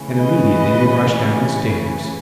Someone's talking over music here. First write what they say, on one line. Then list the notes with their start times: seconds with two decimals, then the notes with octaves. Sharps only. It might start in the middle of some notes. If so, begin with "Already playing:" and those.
And immediately he rushed down the stairs.
Already playing: C#3 E3 A3 C#4
0.16 B4 D#5